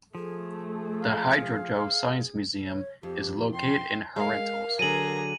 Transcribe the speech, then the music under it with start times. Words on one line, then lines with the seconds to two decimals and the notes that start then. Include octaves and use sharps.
The Hidrodoe science museum is located in Herentals.
0.15 F3 A3 G#4
1.03 F5
2.66 C#5
3.03 F2 G4
3.53 G5 C6
4.16 G#3 A#4 F5
4.79 D3 F#3 G#4 A#5 D#7 F#7